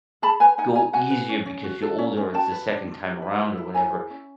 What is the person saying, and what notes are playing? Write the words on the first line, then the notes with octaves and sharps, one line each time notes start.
go easier, because you're older, or it's the second time around, or whatever.
G#4 A5 B5
B4 G#5 A#5
D#4 F#5 G#5
D#4 G#5 A#5
F#4 F#5 G#5
B4
C#4
C#4
F#4
A4
C#4
C#4
F#4 G5 A5
B4
D4
D4
G4
B4
E4
E4
E4 G#5 A#5
G#4
C#4